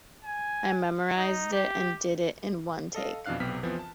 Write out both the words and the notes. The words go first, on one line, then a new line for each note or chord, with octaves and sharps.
I memorized it and did it in one take.
G#5
D#4
G4
A4 D#5 F5
F2 B2 E3 D4 F5 F#6
B1 C3 B3 G4 F6 B6
F2 E3 F3 B3 C4
A5